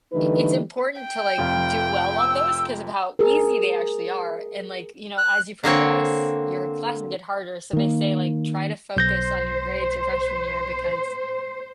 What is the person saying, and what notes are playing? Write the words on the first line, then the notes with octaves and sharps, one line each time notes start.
i it's important to, like, do well on those 'cause of how easy they actually are and like, you know, as you progress your classes get harder, so they say, like, try to focus on your grades your freshman year because,
D3 E3 G3 A3 D#4 B4
G5
F1 F2 F4
E6
G#4 A#4
F#6
D3 A#3 C4 C#5
D#3 A#3
B1 C5 G6 A#6